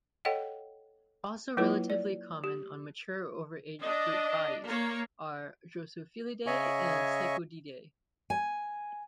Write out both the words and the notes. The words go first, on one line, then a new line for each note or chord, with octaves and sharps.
Also relatively common on mature or overaged fruit bodies are Drosophilidae and Psychodidae.
A4 C#5 D#5 F#5 G5
F#3 A#3 E4 F4 B4 C#5
D5
G4
D4 D#5
A#3 C#5
C#3 C#5 D#5 E5 G#5 C#6
G#5